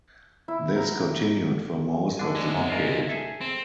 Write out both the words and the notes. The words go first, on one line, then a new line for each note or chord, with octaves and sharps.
This continued for most of the decade.
E4
A#5
D3 D4 G#5
D2 G#3
F#2
F4 A#4
G#4 A4 E5
C4